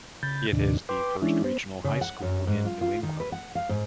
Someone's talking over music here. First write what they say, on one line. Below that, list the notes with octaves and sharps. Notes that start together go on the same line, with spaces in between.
It is the first regional high school in New England.
C#3 B5 G6 A6
D#2 A2 C3 D#3 D4
B4 G5 C6 D6
E3 G#3 C#4 D4 E4
B3 C5
C#3
F#5
F#2
G#2
F4
F4
D#3
B4
F#5
F5
G#2